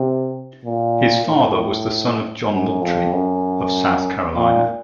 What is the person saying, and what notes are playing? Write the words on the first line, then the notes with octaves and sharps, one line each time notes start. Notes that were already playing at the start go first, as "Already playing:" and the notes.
His father was the son of John Moultrie of South Carolina.
Already playing: C3
A#2
A2
F#2
F2
F#2
A#2